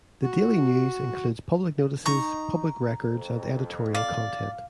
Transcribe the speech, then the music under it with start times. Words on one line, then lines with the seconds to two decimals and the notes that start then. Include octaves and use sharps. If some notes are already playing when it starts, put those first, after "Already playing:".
"The Daily News" includes public notices, public records and editorial content.
0.23 F#4
2.06 D#4 A#5 C#6
3.00 F2
3.94 D5 F5